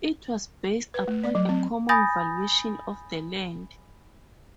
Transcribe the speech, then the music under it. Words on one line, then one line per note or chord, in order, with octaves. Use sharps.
It was based upon a common valuation of the land.
B4
A3
D5
F#3
C4
G#5 B5 D#6 G6 A6 A#6